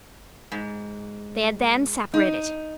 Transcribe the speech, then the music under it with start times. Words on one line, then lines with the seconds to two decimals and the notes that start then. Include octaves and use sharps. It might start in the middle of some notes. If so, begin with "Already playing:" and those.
They had then separated.
0.52 G#2
2.14 D#4